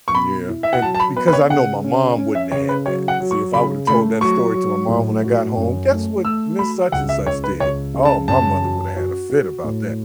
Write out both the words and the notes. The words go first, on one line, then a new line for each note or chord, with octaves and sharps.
Yeah. And because I know my mom wouldn't had that. See, if I would've told that story to my mom when I got home, "Guess what Miss such and such did?" Oh, my mother woulda had a fit about that.
C#6
B2 B5
E4
E5
F#5
F#3 A5
A5
B5
B3 B4
B4
C#5
C#3 F#5
C#4
C#4
E5
C#3 C#5
B4
F#3 C#5
F#5
F#3
C#6
C#3 B5
A3 B5
F#3 C#6
F#3
A2
F#4
F#2
A3
A3 E6
F#4 B5
C#2 F#5
E5
C#2 C#5
B4
C#2 C#5
C#3
A5
F#2 A5
F#4
F#4
F#4
A2